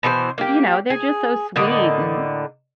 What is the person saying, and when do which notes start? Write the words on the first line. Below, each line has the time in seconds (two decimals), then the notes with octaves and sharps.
t you know, they're just so sweet, and,
0.03 B2 E3 A4 C5
0.38 A#3 G4
0.90 G#4
1.56 A2 D3 A#3 D#5